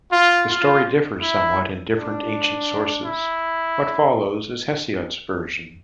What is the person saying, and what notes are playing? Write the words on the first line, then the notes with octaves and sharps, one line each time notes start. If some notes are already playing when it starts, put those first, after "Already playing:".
The story differs somewhat in different ancient sources; what follows is Hesiod's version.
F4
F4
E4
D4
E4